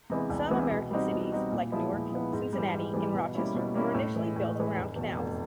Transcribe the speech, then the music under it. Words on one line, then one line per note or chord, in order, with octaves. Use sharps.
Some American cities, like Newark, Cincinnati and Rochester, were initially built around canals.
C3 E3 G#3 B3
C2
C3 E3 G#3 B3
B2
G3 C4 D#4 F#4
B2
G3 C4 D#4 F#4
A#2
F3 G#3 B3 E4
A#2
F3 G#3 B3 E4
G#2
G3
E3
G#2
E3 G3
B2
G3 A#3 C#4 E4
B2
G3 A#3 C#4 E4
A2
E3 G#3
A2
E3 G#3
F1
E2 B2
F1